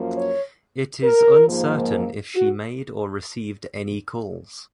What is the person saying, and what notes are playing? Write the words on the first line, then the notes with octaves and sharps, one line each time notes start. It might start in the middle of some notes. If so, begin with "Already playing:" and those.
It is uncertain if she made or received any calls.
Already playing: F#2 F3 A#3
C#5
A#4
G#2 F3 A#3
F#4